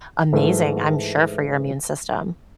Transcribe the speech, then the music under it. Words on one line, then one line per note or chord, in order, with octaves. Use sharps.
amazing, I'm sure, for your immune system.
G#2 E3 A3